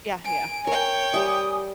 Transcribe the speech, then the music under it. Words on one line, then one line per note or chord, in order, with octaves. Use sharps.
Yeah, yeah.
G#5 D7
A#4 C#5 G5
G3 G4 E5 G#5 D#6